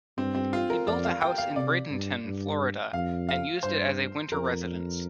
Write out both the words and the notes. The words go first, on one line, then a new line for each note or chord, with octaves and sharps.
He built a house in Bradenton, Florida, and used it as a winter residence.
G2 C4
C4
F4
A#4
F2 D5
F5
G5
F5
C3 D5
G2
G2
F2 F5
F5
G2 C5
F2 A#4